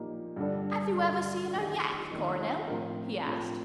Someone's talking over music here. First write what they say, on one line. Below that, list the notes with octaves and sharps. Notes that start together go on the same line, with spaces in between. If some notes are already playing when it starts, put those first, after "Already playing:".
"Have you ever seen a yak, Coronel?" he asked.
Already playing: A#2 F3 A#3 D#4 G4
G2 D3 G3 D4 A4
G2 D3 G3 D4 A4
F2 D#3 A3 D4
F2 D#3 A3 D4
A2 F3 C4 F4 A#4
A2 F3 C4 F4 A#4